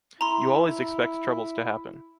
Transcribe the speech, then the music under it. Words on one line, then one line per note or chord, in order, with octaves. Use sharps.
You always expect troubles to happen.
E4 A#5 C6